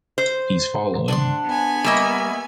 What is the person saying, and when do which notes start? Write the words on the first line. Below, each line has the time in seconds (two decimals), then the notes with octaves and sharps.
He’s following.
0.18 C5
1.08 D4 F#5 C6
1.46 B3 G#5
1.84 G3 A#3 D#5 E5 C#6